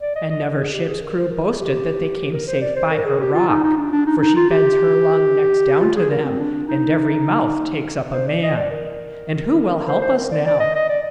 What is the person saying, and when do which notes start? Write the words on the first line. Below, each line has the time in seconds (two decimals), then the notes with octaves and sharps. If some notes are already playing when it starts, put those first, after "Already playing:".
And never ship's crew boasted that they came safe by her rock; for she bends her long necks down to them, and every mouth takes up a man And who will help us now?
0.01 D5
0.15 D#5
0.29 D#5
0.58 G#4
0.72 G4
0.87 G#4
1.02 A#4
1.17 C5
1.30 A#4
1.45 G#4
1.60 G4
2.32 A#4
2.47 C5
2.61 D5
2.76 C5
2.90 A#4
3.05 G#4
3.20 G4
3.34 F4
3.48 D#4
3.64 D#4
3.77 D4
3.92 D4
4.06 D#4
4.17 D4
4.21 D#4
4.36 F4
4.50 G4
5.80 F4
5.96 G#4
6.10 A#4
6.25 C4
6.39 D4
6.67 D#4
8.13 C5
8.27 D5
8.43 D#5
8.56 D5
8.71 A#4
9.88 C5
10.01 C5
10.17 A#4
10.31 D5
10.46 D5
10.60 D#5
10.75 D#5
10.89 D5